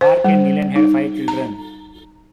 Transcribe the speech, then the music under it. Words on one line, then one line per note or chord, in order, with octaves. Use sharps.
Park and Niland had five children.
C5
G3
D#4
A#5